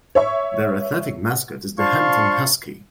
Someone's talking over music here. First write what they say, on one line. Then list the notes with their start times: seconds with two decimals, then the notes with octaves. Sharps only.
Their athletic mascot is the Hampton Husky.
0.15 C#5 E5 C#6
1.79 F3 D4 F5 A5 C6 C#6